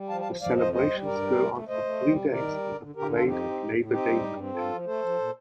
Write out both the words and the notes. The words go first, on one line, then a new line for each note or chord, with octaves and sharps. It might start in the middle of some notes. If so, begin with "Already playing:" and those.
The celebrations go on for three days with a parade on Labour Day Monday.
Already playing: G3
F3 F5 A5
F5 A5
F3
F3 D5 F5
F2 C5 D#5
G3 C5 D#5
G3
G2 A#4 D5
G3
A3
A3
A3 C5 D#5
A3
G3
C3
D#3 A#4 D5
G3
D3
D3
D3 G4 A#4
F2 F4 A4
C4 D#4 G4
C4
A2
A2
C4 D#4 G4
G3
G2
C4
G2 F4 A4
F3
A3 A4 C5
F3
A#2